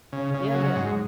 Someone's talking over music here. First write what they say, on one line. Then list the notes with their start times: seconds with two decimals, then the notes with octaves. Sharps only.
Yeah, yeah.
0.12 C#3
0.34 C#3
0.54 F#3
0.75 G#2